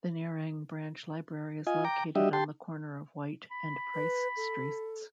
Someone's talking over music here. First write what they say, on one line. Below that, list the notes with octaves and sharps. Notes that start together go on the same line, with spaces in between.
The Nerang Branch Library is located on the corner of White and Price Streets.
F4 D#5 G#5
G5 A#5 D6
G3 D4 F#4 G4 D#5 E5
G4 G5 A5 C6
B5
B4
A4